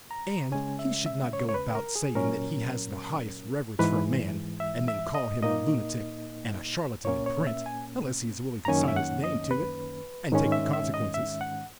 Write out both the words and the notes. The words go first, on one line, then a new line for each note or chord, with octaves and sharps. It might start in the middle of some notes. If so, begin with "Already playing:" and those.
And he should not go about saying that he has the highest reverence for a man, and then call him a lunatic and a charlatan in print, unless he is willing to sign his name to it, and take the consequences.
A#5
C#3 G#3 C#4 G#5
E5
E5
C#5
C#5
B4
A#4
G#4
A#2 F#3 C#4 A#4
G#2 E3 G#3 B4
E5
E5
D#5
A#2 A#3 D#4 D#5
A#2 A#3 C#4 C#5
C#5
E5
G#5
A#5
F#2 D#3 A#3 C#4 G#5
E5
F#5
D#5
B4
G#2 D#3 G#3 C#4
E5
E5
D#5
E5
F#5